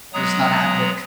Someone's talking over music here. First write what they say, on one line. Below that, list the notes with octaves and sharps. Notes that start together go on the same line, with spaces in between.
Just not having it.
F#3 G#3 B3 A#5 D#6